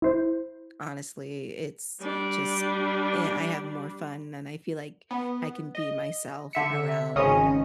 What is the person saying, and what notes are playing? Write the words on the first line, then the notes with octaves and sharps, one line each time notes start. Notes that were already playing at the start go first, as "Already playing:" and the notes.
honestly, it's just i I have more fun than I feel like I can be myself around,
E4 C5
G3 D4
B3
D#5
D3 E5 C#7
G#1 C#3 C#4 D#5 D#6